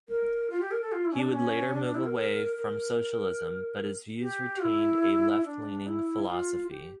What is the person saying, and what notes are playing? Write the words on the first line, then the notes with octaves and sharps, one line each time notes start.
He would later move away from socialism, but his views retained a left-leaning philosophy.
A#4
F4
G4
A#4
A4
F4
E4
C#4
D4
C#4
D4
D4
E4
A#4
A#4
G4
E4
D4
E4
F4
G4